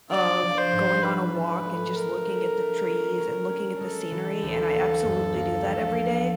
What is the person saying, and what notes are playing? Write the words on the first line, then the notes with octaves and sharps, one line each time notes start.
of going on a walk and just looking at the trees and looking at the scenery, and I absolutely do that every day.
D4 D5
F3
C5
G#2
D4 B4
D4
A3
A3 A#4
A3
A3
C#4
C#4
C#4
G#3 A4
E3
D2
A#3
F#2
A#3
F3
F3